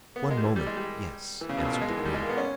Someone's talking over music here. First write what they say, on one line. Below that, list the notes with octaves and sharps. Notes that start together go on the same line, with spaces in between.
"One moment, yes," answered the queen.
B3
A#3
G#3
G3
E3
G3
G#3
G3
E3
C#3
B2
A#2
B2
G#3
E3
D#3
G3
G#3
A#3
B3
C#4